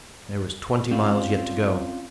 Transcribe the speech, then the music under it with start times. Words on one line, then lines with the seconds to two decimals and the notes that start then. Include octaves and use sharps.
There was twenty miles yet to go.
0.91 C4 C#4 F4 D5